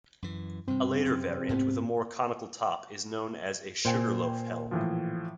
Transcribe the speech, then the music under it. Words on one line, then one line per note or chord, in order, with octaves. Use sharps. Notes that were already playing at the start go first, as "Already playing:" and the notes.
A later variant with a more conical top is known as a 'sugarloaf helm'.
F#2 E3
G2 C3 C4
F#2 C3
D2 G#2 B3
A#2 C5 G5 G#5
A2 E3 F3